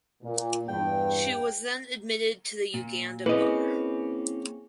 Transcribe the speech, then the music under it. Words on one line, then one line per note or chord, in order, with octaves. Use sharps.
She was then admitted to the Uganda Bar.
A#2
E2 G2 G5
A#2
A#3 C4 C#4 E4 G#4 B4 D#5